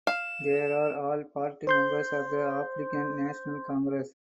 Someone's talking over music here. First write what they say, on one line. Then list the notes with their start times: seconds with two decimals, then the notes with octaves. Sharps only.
They are all party members of the African National Congress.
0.07 F5 E7
1.67 C5 C6 G6